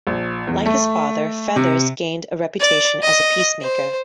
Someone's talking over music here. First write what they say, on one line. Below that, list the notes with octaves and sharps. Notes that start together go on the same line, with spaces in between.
Like his father, Feathers gained a reputation as a peacemaker.
A#1
E2
A3
C3
D5
D#5
C5